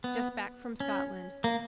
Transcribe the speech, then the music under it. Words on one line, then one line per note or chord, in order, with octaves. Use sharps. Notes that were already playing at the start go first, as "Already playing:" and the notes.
Just back from Scotland.
B3
C#4
A#3